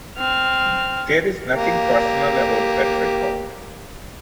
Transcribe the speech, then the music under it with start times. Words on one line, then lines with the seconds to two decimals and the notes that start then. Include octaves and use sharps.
There is nothing personal about that record.
0.18 C4 F6
1.53 A#3 G4